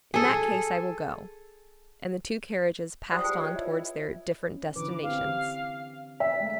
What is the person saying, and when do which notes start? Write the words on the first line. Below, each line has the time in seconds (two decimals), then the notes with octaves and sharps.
"In that case I will go." And the two carriages passed on towards their different destinations.
0.14 G#4 A4
3.11 G3 F4 C5 F#5 D#6
3.24 G#4 G5 A5
3.38 F4 B4 C#5 D#5
3.56 E4
4.52 C#4
4.76 D3 E3 B4 D6
5.03 C4 G4 F5
6.20 E5 B6
6.40 G#3 A3